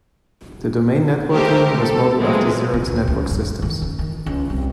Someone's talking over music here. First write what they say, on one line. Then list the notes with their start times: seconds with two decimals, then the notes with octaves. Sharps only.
The Domain networking was modeled after Xerox Network Systems.
1.33 G#3 A3 G4 A#4 C5
1.78 A4
2.21 E3 F#3 G#3 A#3 C4
2.74 C3
2.86 D2
3.07 C#2
3.31 G2
3.44 F#1
3.62 D#3
3.82 F#1
3.99 D#3
4.26 C#2
4.50 C2